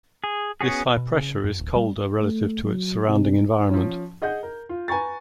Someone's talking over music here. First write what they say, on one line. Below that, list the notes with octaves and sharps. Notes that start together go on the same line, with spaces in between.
This high pressure is colder relative to its surrounding environment.
G#4
B3 C#4 F#4 G#4
B2
C#3
F#2
D1
G3
A3
F#3
C3
F3 C#4
G#4 D#5 F#5 G6
A#4
F4
B4 G#5 A#5 C#6 A6